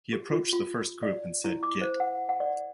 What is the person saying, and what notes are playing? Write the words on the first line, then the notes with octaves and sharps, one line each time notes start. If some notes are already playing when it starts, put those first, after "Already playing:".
He approached the first group and said, Git.
G4
F4
F4
D5
E4
D6
C5
F#5
F#5
D5